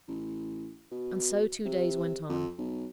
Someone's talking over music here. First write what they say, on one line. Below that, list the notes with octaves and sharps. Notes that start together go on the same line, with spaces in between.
And so two days went on.
A1
B2
C3
F2
B1